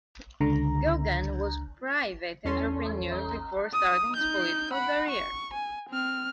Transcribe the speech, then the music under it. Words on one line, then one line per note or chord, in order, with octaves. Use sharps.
Gogan was a private entrepreneur before starting his political career.
C#2 D3 A#5
E2 C#4 A4 C6
D#6
D#4 G6
F#5 B5
C#6
G#5
C4 F6